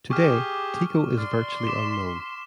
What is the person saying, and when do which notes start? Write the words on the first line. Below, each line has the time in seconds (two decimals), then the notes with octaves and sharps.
Today Teeko is virtually unknown.
0.10 G4 G#4 C#6 D6 F6
1.18 D5 C6 F6
1.67 D6 B6 E7